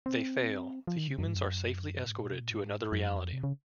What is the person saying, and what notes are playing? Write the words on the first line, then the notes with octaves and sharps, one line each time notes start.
They fail; the humans are safely escorted to another reality.
C4
F3
D#3
C#3
F#2
G#2
F#2
A#2
G#2
A#2
C3
A#2
G#2
F#2
F2
C3
C#3